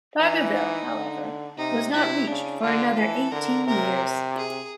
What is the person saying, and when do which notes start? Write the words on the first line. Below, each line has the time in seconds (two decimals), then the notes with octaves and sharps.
Dargaville, however, was not reached for another eighteen years.
0.19 E3 D#4
0.54 D#4
0.90 D3
1.58 C3 D#4
1.93 C3 E4
2.27 C#3 D4
2.63 D3 F4
2.97 E3 A4
3.31 D3 A#4
3.67 C3 A#4
4.37 G#4